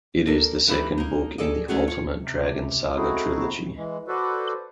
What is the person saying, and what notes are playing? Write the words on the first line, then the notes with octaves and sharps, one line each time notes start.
It is the second book in the Ultimate Dragon Saga trilogy.
D4 A4 A#4
E3 A#3 D#4 E4 G4 B4
A#3 D#4
G#4 A4 D5 D#5
D#3 A3 C#4 F#4 G#4
F4 C#5
C3
A3 C4 D#4 E4 F#4 G#4
E3 G#3
F#4 A4 B4 C5 D5